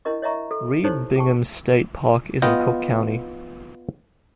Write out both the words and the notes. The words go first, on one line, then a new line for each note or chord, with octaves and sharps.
Reed Bingham State Park is in Cook County.
D4 E4 A#4 D#5 C#6
C#5 D#5 E5 A#5 C#6
A4
D#4 E4 G4 A4 C5 C#5
G#4 G5 A5 C#6
B3 F4 D#5 G5